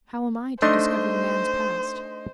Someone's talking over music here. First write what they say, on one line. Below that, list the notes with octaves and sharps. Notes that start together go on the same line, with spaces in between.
"How am I to discover the man's past?"
A3 D4 D#4 C5 D#5 C6